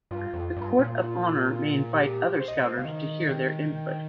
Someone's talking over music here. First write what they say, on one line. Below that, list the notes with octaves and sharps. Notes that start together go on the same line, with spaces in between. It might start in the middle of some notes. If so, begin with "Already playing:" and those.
The Court of Honor may invite other Scouters to hear their input.
G2 F4
F2
G2
A#2
G4
C5
D#5
C5
C3 F5
D#3 D#5
G5
G5